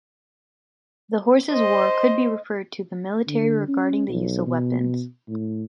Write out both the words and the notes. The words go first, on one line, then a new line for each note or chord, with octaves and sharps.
The horses war could be referred to the military regarding the use of weapons.
C5 D#5
D3
C#4
B1
B2
A2